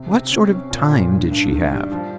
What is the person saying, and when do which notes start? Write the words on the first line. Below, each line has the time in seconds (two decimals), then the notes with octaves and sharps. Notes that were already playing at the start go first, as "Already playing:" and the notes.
What sort of time did she have?
Already playing: C3
0.11 C3
0.31 C#4
0.51 C#4
0.71 A#2
0.91 A#2
1.11 G2
1.31 G2
1.51 D#3
1.72 G3
1.92 F3